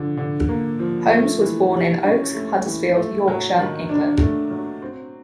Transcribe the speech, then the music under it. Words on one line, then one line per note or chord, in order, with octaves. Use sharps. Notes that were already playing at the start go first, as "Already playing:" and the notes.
Holmes was born in Oakes, Huddersfield, Yorkshire, England.
Already playing: D3 F3
D3
A#3
F3
A3
E3
C3
C#4
A3
E3
A3
F#3
D#3
D4
A3
F#3
C4